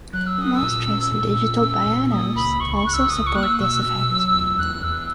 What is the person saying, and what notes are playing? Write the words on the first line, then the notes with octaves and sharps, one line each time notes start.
Most recent digital pianos also support this effect.
F#3 F#6
E6
C#4 D#6
E6
A#2
C#4
A#2 E6
A#2
C#4
A#2
A#3 D#6
C#2 B5
C#2 C#6
C#6
C#2 F#6
E6
C#2 D#6
C#6
A#3 F#6
E6
B2 E6
B2
F#3
E2
E2 F#6
E2 E6